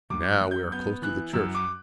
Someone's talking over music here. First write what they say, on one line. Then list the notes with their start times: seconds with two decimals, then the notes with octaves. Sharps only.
And now we are close to the church.
0.10 F#2 D6
0.30 F#6
0.41 F#2
0.51 G6
0.72 B3 G6
1.02 E3 F#6
1.33 F#2 E6
1.55 D6